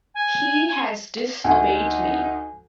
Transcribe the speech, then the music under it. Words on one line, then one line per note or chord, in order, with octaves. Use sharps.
He has disobeyed me.
G#5
D2 D#4 G#5